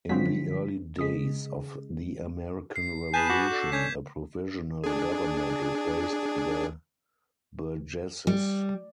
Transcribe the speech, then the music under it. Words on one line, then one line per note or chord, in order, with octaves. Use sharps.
In the early days of the American Revolution, a provisional government replaced the Burgesses.
D3 F3 F#3 G#3 C4 B6
C#3 G#3 D#6 B6
C7
G#4 B4 G#5 A5 G6 B6 E7
F#4 D6
D4 A4
C#4 G6 G#6 B6
D4 G#4
G3